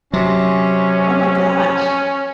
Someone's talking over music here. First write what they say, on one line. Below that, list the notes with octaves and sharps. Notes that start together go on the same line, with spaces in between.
Oh my gosh.
C3 F#3 C#4